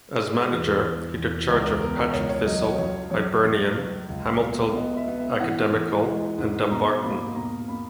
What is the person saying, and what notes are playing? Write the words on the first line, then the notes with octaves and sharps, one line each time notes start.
As manager, he took charge of Partick Thistle, Hibernian, Hamilton Academical and Dumbarton.
G#3 G#4
E2
E2
E2
C#2 A#4
A#4
B3 A#4
A#4
C#2 C#5
C#5
F#3 D#5
C#5
F#2 C#5
F#2 C#5
F#2
F#2
C#2
B2
B3 D#5
E5
B3
E5
E3 F#5
E3
G#3
G#2
B2 A#5
A#3 B5
B2 A#5
A#3 B5